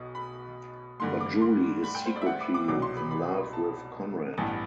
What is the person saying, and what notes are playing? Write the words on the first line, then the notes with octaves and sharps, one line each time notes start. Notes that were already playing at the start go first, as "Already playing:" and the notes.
But Julie is secretly in love with Conrad.
Already playing: B1 B2
B5
G2 D3 A3 C6
D6
C6
B5
G5
C5
D5
E5
F#5
D6
D6
C2 B2 F#3 D6
C6
B5
B5
A5
A1 G2 E3 B3 A5